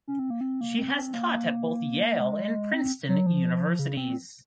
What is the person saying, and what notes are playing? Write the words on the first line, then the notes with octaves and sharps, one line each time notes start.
She has taught at both Yale and Princeton universities.
C#4
C4
A#3
C4
A#3
C4
C4
A#3
G#3
C4
F#3
F3
C#3
C4